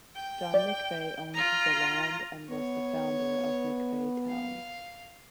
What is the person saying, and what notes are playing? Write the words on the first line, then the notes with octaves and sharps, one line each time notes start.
John McVey owned the land and was the founder of McVeytown.
G5
D5
F4 A#5
B3 C#5
F5